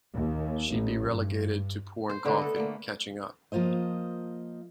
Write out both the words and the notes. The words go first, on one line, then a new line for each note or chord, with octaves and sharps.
She'd be relegated to pouring coffee, catching up.
D#2
A1
G2
C5
D3 A3 B3 D4
A4 D#5
D3 A3 A#3
F3 A#3 F4 C5 D#5